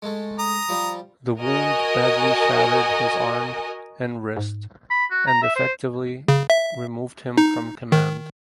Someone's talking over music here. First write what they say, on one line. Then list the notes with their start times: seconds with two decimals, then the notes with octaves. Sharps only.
The wound badly shattered his arm and wrist and effectively removed him from command.
0.02 G#3 A3
0.39 A#5 D#6
0.69 F3 G3
1.41 F#4 A#4 D#5 G#5
4.37 G#2
4.91 B5
5.11 F#4
5.27 A#5
5.43 E5
5.56 C5
6.28 C#3
6.50 E5
7.38 D#4
7.92 D#3